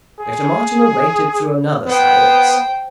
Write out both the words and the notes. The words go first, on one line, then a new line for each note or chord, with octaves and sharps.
Dr. Martineau waited through another silence.
G#4
B3 C5 G5